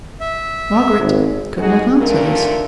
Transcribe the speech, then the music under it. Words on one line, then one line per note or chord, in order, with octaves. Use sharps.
Margaret could not answer this.
E5
G#1
G#3 D#4 F#4 G#4
D2 A#2 D3 D#3 A#4